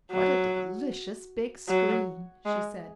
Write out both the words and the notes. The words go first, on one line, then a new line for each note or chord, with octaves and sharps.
"What a delicious big screen," she said.
F#3
F#3
G#3